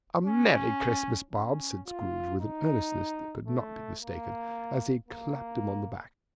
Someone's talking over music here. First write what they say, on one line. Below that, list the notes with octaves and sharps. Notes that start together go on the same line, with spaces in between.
"A merry Christmas, Bob!" said Scrooge, with an earnestness that could not be mistaken, as he clapped him on the back.
C#4
C#4
F4
D#4
A3
A#3
A#3